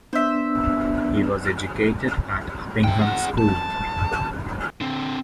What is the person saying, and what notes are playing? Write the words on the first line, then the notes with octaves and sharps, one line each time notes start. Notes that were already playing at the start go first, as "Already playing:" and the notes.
He was educated at Uppingham School.
B3 D4 C5 E5
E5 G5
G#4 F#5
A5
D3 C4